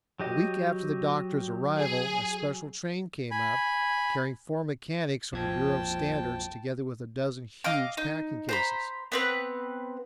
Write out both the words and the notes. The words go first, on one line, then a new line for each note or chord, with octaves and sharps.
A week after the doctor's arrival, a special train came up, carrying four mechanics from the Bureau of Standards, together with a dozen huge packing cases.
F#3 G4 D#5
G#4
G#5 B5
A#1 F2 B2 F3 G5 A5 G#6
D#5 F5 D6
D#4
C5 A#5 B5
B3 C4 B4